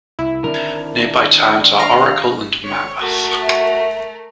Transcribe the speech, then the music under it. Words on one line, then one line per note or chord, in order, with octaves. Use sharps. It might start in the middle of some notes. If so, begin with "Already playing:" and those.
Nearby towns are Oracle and Mammoth.
C2 E4
D3 D#3 C4 D4 A#4
F5 A#5 F6
D3 C#5
A3 F#4 A#4
E5